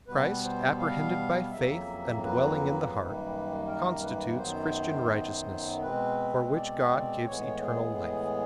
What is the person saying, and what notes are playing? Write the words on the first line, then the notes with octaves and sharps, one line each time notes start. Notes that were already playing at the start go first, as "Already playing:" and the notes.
Christ, apprehended by faith and dwelling in the heart, constitutes Christian righteousness, for which God gives eternal life.
B2 G3 B3 B4
C5
F5
F2 C#3 F#3 A#3 E5
B4
F#2 D#3 G3 A#3
A#4
B4
F#2 D#3 F#3 B3 C5
B2 G#3 C4 B4
D5
D5
A2 E3 G#3 B3 C#5
G#4
G#4